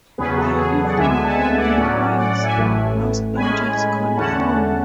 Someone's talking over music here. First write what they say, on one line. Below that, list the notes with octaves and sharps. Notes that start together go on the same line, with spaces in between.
They live in Holmby Hills, Los Angeles, California.
E2 C#3 F#3 B3 G#4 B4
F#4 A4
G#4
G#4
D5 F#5
D2 D3 G#3 B3 E5 G#5
E5 G#5
F#5 A5
E5 G#5
D5 F#5
A2 F#3 C#4
D5 F#5
D5 F#5
E5 G#5
A1 A2 E3 A3
A2 G#3 C#4 G#5 B5
E2 D3 A3 C#4 F#5 A5